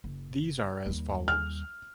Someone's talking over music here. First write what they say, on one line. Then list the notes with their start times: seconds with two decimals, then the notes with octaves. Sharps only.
These are as follows.
0.04 F#1
0.86 D#2 G3
1.28 F6